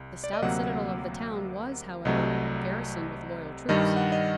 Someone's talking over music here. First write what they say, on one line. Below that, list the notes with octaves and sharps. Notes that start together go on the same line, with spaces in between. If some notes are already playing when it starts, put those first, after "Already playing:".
The stout citadel of the town, was, however, garrisoned with loyal troops.
Already playing: C2
D5
D#5
D2 C3 F#3 A#3 F#5
C2 C3 F#3 A3 D#5
G2 D#3 G3 D#5
F#5
D#5